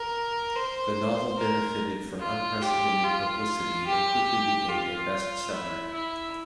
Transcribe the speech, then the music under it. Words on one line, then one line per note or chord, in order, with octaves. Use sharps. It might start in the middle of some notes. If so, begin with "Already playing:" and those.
The novel benefitted from unprecedented publicity and quickly became a best-seller.
Already playing: A#4
C5
A#4
F4
G4
F4
G4
F4
E4
E4